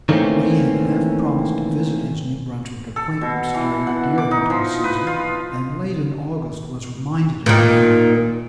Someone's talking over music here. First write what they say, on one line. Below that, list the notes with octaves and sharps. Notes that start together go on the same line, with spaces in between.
Ray had half-promised to visit his New Brunswick acquaintance during the deer-hunting season, and late in August was reminded of the fact.
D#3 E3 A3 A#3 C4 C#4
A4
B2
E3
F#5
D6
D#4
F3
B4
F4
A#2 D#3